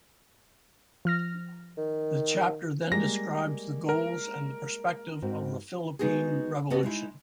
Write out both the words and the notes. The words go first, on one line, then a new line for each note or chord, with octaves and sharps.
The chapter then describes the goals and the perspective of the Philippine revolution.
F3 F6 A#6
D#3
G3 G#3 A#3 A#6
A#4
G#2 C4 F#4
G#3 B3 D#4 F#4 G#4
B3 F#4 G4 A4 B4 D#5
G#3 D#4 E4